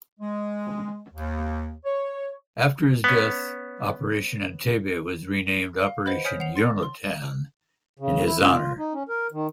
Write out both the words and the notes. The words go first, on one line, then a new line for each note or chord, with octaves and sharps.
After his death Operation Entebbe was renamed "Operation Yonatan" in his honour.
G#3
D#2
C#5
B3 C#4
F5
B4 C5 D#5 F#5 B5
C#5 G#5 D#6 F6 G6 B6
F#5 C7 F7
C6 A6 A#6
C6
C#3
E4
F4
D#4
C#4
A#4
D#3